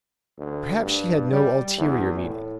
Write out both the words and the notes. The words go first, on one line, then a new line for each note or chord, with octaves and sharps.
Perhaps she had no ulterior meaning.
D2
G2
G3
E2
A2